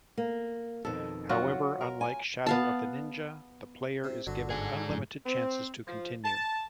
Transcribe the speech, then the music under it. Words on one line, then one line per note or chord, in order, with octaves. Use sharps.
However unlike "Shadow of the Ninja", the player is given unlimited chances to continue.
A#3
F2 B2 D#3 A4
F#3 F4 F#4
A#4
G#5
B3 F5 A5
C3
G1 D3 F#3
G#2 D3 G#4
F#2 A2
C4
F3
A5